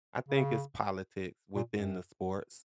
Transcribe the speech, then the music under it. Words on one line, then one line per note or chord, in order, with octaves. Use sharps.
I think it's politics within the sports.
C#3
A#2
F#2